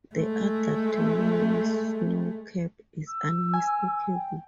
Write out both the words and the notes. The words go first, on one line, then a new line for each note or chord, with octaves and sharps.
The adult male snowcap is unmistakable.
G#3 A3
E6
G#5
G5